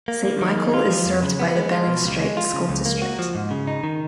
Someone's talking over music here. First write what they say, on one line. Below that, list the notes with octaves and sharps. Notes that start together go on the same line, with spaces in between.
Saint Michael is served by the Bering Strait School District.
A#3
A#3
D#3
G#3
F4
F3
F2
C#3
B3
G#3
F4
B2
C#2
G#3
F4
C#3
C#2
A#3
F#4
F3
G#2
C#3
D#4
D#3